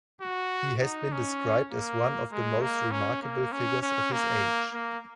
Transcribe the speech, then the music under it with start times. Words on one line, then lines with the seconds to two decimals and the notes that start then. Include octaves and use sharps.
He has been described as "one of the most remarkable figures of his age".
0.21 F#4
0.82 D#4
1.12 C#4
1.72 A#3
2.32 G#3
2.62 A#3
2.92 C#4
3.22 A#3
3.52 C#4
3.82 C#4
4.12 A#3
4.73 A#3